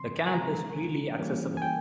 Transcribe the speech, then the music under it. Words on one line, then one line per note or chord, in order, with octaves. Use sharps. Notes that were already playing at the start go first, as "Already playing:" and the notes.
The camp is freely accessible.
Already playing: C#3 F3 C4 C6
G#5
C3 E3 G#3 C4 A#5
E3 G3 A#3 C#4
G#5
G5